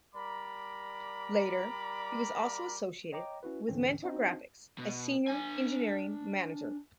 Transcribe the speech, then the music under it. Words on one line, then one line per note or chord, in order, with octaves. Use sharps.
Later he was also associated with Mentor Graphics as Senior Engineering Manager.
G3 A#4 D5 A#5 B5 D6
C#5 D#5 G5 A#5 D6
C#4 E4 F#4 B4
D2 G#2 D3 E3 C4 C#4
C4 D4 D#4 F#4 C5 D#5
B2
D4 G#5